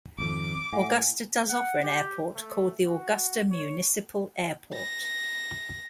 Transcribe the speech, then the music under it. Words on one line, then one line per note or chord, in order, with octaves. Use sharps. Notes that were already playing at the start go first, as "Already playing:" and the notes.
Augusta does offer an airport called the Augusta Municipal Airport.
G#1 F2 D6
A2 E5 F#5 G#5
F#5
G4
A3
F#4
C#5
A#6